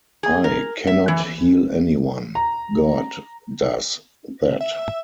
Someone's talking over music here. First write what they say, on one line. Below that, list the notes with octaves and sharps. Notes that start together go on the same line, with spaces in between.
I cannot heal anyone - God does that.
G#4
A#4
E5
E3
A#5
E5